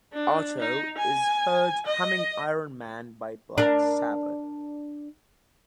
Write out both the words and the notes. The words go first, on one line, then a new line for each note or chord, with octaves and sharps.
Otto is heard humming "Iron Man" by Black Sabbath.
D4
D#4
G#5
D#5
D4 A#4